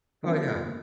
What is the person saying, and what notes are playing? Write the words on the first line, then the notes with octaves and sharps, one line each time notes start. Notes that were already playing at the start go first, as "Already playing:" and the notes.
Oh, yeah.
D#3 F3 G3 B3 C#4 D4
F3 A#3
F2 F4 F6
A#3